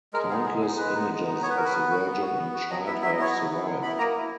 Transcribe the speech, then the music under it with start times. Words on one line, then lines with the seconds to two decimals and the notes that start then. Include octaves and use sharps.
Countless images of the virgin and child have survived.
0.13 G#3 A#4
0.30 B3 D#4 G#4
0.46 G#3 G#4
0.61 B3 D#4 G#4
0.78 G#3 B4
0.94 B3 D#4
1.10 G#3
1.26 B3 D#4
1.41 B3 C#5
1.50 B4
1.57 F#4 A#4
1.64 B4
1.74 B3
1.91 F#4
2.06 B3
2.22 F#4
2.38 B3
2.54 F#4
2.70 F#3 D#5
2.86 B3 E4 E5
3.02 F#3 E5
3.12 D#5
3.19 B3 E4 C#5
3.30 F#3 D#5
3.51 B3 E4
3.66 F#3
3.82 B3 E4 B5
3.98 A#3 A#5
4.15 E4